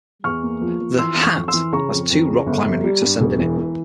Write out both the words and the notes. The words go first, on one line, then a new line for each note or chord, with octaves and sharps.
The "Hat"' has two rock climbing routes ascending it.
E2 C#6 F6
A#3
F3
F3
E3 C6 E6
E3
C#6 F6
F2
C6 E6
E3
C#3 A#5 C#6
F2
F2
C#3
G1
G3
G3
G2
E1
E3
E3